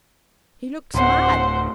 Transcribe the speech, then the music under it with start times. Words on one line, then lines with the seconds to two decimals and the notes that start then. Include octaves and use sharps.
He looks mad.
0.94 D1 C5 F#5